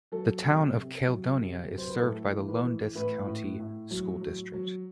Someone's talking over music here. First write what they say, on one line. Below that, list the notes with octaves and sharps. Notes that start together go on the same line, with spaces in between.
The Town of Caledonia is served by the Lowndes County School District.
F#3 A4
C3
C3
F#3
C3
F#3
C5
B4
A2 A4
E3
B4
E3
A2 B4
A2
A2
F#3
F#3
F#3